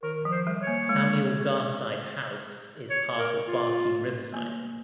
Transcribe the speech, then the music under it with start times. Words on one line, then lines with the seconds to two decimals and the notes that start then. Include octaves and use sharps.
Samuel Garside House is part of Barking Riverside.
0.03 D#3 A#4
0.25 F3
0.31 C5
0.47 G3
0.61 C#5
0.67 A#3
0.89 G#3
2.90 C#5
3.18 A#4
3.47 F4
4.34 A#3